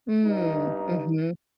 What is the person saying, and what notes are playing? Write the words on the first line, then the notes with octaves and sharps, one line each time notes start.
Mm, mhm.
G2 D#4